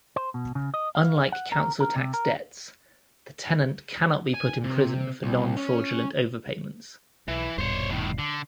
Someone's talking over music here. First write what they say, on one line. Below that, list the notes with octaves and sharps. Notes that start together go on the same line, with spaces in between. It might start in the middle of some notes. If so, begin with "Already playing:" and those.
Unlike council tax debts, the tenant cannot be put in prison for non-fraudulent overpayments.
C5
B2
C#3
D#5
F5
F#5
A#4
A#4
C3
A#4
G#5
C3
C2
C#4
B1 E3
D#1 G2 B2 C5 C#5
A2 D#3
D3